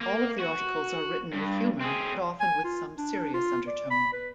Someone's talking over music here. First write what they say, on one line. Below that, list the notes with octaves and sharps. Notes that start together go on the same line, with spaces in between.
All of the articles are written with humour but often with some serious undertone.
A#3
F#4
G2
C4 G#4
G#5
F4
D4
F4
D5
B5
B4